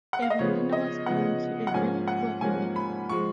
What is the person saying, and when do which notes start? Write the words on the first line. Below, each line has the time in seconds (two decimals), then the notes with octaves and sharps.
Erundina was born to a very poor family.
0.13 F#5
0.22 F5
0.30 D#5
0.39 C#3 F3 B3 C#5
0.73 D#5
1.06 C#3 F3 B3 F#5
1.67 F#5
1.74 G#2 F3 A#3 C#4 G#5
2.08 F#5
2.41 G#2 F3 A#3 C#4 G#5
2.76 B5
3.09 F3 G#3 C#6